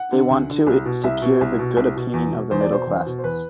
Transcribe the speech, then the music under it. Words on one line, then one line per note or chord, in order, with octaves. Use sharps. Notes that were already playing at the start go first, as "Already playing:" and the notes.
They want to secure the good opinion of the middle classes.
Already playing: F#5
D3
D2
D3
C2
B2
C2 E5
B2
C2
B2
C2
B2
E2
B2
E2 C5
D5
B2 C5
E2
B2
C5
E2 B4